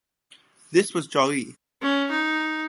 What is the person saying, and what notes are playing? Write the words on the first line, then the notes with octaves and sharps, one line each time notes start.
This was Zhaoyi.
C#4
D#4